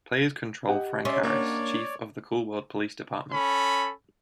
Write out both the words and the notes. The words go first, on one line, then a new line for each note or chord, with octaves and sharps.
Players control Frank Harris, chief of the Cool World police department.
G4 D#5 F#5
C#4 D5 E5 C6
A#3 D4 C#5 D5
C#4 A4 B5